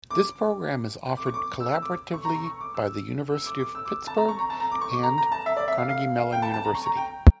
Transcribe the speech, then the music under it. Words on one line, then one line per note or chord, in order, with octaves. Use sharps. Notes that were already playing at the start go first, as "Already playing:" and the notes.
This program is offered collaboratively by the University of Pittsburgh and Carnegie Mellon University.
D6
D6
C#6
D6
E6
D6
C#6
A#5
C#6
C#6
D6
E6
E6
D6
D6
E6
D6
A5
A#5
C#6
A#5
A5
A#5
D6
C#6
D6
A#5
A#5
A5
E5
D5
E5
F5
F5
F5
G5
A5
A5
A#5
C#6
A#5
G5